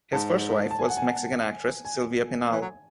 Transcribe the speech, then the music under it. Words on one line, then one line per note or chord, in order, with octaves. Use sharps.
His first wife was Mexican actress Silvia Pinal.
G#2 A5
A5
G#5
F#5
G#5
G#5
E3
F#3